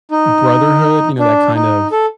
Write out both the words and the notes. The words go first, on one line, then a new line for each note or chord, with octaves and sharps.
brotherhood, you know, that kind of
D#4
D4
D#4
A4